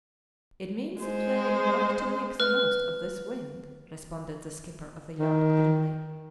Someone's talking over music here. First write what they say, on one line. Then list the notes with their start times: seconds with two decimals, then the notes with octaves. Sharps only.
"It means that they want to make the most of this wind," responded the skipper of the yacht grimly.
1.00 G#3 C5
2.40 B4 F6
5.19 D#3